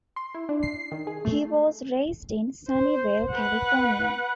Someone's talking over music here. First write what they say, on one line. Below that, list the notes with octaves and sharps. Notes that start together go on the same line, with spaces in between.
He was raised in Sunnyvale, California.
C6
E4
D4
C7
D#3
G#4
A3
C5
B4 F#5